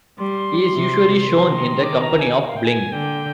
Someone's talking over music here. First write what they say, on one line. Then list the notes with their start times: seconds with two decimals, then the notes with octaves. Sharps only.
He is usually shown in the company of Bling.
0.18 G3 C6
0.73 C3
1.28 D#3
1.83 D6
2.01 A#5
2.19 G#5
2.47 F5
2.56 G5
2.65 G#5
2.92 D3 G5